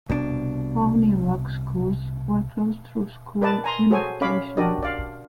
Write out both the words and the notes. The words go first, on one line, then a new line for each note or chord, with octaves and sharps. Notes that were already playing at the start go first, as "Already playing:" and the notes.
Pawnee Rock schools were closed through school unification.
C2 B2 D4
A#4 B4 D5 D#5 A5
G#5 A#5 C6
F#4 G#4 A4 C5 C#5 G#5
C#4 C#5 D#5 F5 B5 D6
D4 F#4 G4 A#4 D5 D#5
D5 F5